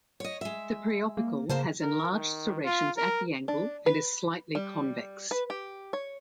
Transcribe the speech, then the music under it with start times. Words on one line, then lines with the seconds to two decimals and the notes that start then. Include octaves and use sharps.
The preopercle has enlarged serrations at the angle and is slightly convex.
0.20 C#5 D#5
0.41 G#3 E5
1.17 A#3
1.49 C#3 A#3 C5 A5
1.81 A#4
2.12 D#3
2.65 F4
2.97 A#4
3.48 D4
3.86 B4
4.55 G3
5.31 B4
5.50 G4
5.93 C#5